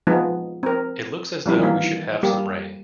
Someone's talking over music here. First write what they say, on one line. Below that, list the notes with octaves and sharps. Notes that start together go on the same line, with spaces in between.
It looks as though we should have some rain.
F3 G#3 B3 D#4
C4 A#4
F3 G3 C4 E4
D#3 E3 A#3
G3 A#3 G4